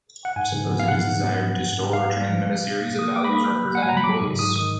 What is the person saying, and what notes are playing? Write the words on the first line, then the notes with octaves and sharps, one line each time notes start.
Suppose it is desired to store or transmit a series of values representing voice.
F#5
G#2 G#5
G#2
B3
F5
G#2 F#5
G#2
B3
F3
G#2
G#2
G#2 F5
G#2
F3
B2
B2
A#3
A#3 D#6
A#3 D6
B5
A#3
F#3
A#3
F#5
G#5
F#3 A#5
B5
F#3 D6
G#2
G#2 D#6
D#3 D#6